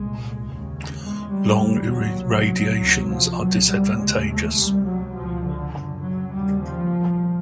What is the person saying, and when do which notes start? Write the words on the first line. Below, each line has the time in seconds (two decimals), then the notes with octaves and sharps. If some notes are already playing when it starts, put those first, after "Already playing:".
Long irradiations are disadvantageous.
Already playing: C2 A#2 G#3
0.46 D#2 C#3
1.04 E2 C#3 G#3
1.34 G3
1.63 D#2 C#3
1.92 F#3
2.22 C2 C3
2.81 D2 C3
3.09 F3
3.39 C#2 B2 F#3
3.69 G3
3.98 D#2 C#3 G#3
4.28 A3
4.57 C#2 C3 G3
4.86 F#3
5.15 C#2 B2 F3
5.45 D3
5.75 F#2 C#3
6.04 F#3
6.34 D#2 C#3 G3
6.63 F3
6.92 C2 A#2